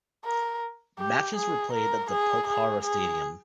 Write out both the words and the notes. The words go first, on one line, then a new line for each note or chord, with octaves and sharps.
Matches were played at the Pokhara Stadium.
A#4
G4
G#4
A#4
G#4
G#4
G#4